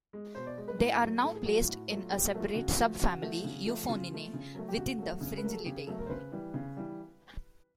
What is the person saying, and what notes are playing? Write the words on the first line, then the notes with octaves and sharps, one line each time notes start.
They are now placed in a separate subfamily Euphoniinae within the Fringillidae.
G#3
B2 C5
D5
G#3
B4
A2 A#4
F#3 A3
A2 A4
G#4
F#3 A3 F#4
F4
A2 F#4
F#3 A3
F4
A2 G4
F#4
F#3 A3
F4
C#3 F#4
F3 A3
C#3 F#4
F3 A3
C#3
F3 A3
C#3 F4
F3 A3
C#3
F#3 A3
G4
C#3 F#4
F#3 A3
C#3
B4
F#3 A3 A#4
A4
G#4
C#3 G4
G#4
F#3 A3 A4
A#4
C5
C#3 B4
E3 G3
C#3
E3 G3